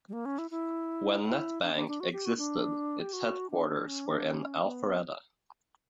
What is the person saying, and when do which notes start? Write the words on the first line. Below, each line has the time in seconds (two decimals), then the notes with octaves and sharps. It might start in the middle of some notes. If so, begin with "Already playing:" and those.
When NetBank existed, its headquarters were in Alpharetta.
0.09 G3
0.13 A#3
0.25 C#4
0.38 E4
0.51 E4
1.25 E4
1.63 D4
1.75 D4
1.88 D4
2.00 F#4
2.13 G4
2.25 F#4
2.38 D4
3.00 G4
3.13 F#4
3.51 D4
3.87 C#4
4.06 D4
4.25 C#4
4.63 B3